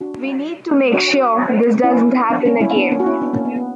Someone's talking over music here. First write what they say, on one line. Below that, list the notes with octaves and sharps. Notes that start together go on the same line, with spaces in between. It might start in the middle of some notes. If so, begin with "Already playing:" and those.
We need to make sure this doesn't happen again.
D4 F#4
D4 F#4
C#4 E4
B3 D4
A#3 C#4
C#4 E4
B3 D4
A#3 C#4
F#4
C#4 E4
B3 D4
A#3 C#4
B3
B3